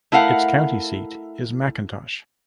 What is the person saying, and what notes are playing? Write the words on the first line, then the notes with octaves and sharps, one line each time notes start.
Its county seat is McIntosh.
A3 E4 A#4 F5 F#5